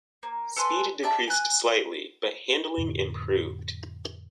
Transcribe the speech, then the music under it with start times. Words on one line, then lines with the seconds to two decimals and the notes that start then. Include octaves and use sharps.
Speed decreased slightly, but handling improved.
0.23 A#3
0.56 A4 B4 G#5 C6
1.03 G4 D5 E5 A5
1.28 G#5 F#6
2.78 F2 A2 D3